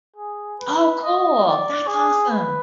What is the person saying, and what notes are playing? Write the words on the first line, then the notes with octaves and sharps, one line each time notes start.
Oh, cool! That's awesome.
G#4
B4
D#5
D5
G#4
B4